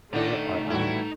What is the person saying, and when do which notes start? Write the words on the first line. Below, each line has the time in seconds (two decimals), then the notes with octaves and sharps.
Here I am.
0.14 D#3 A3 D4 D#4 F#5
0.70 A2 E3 G3 E4 F#4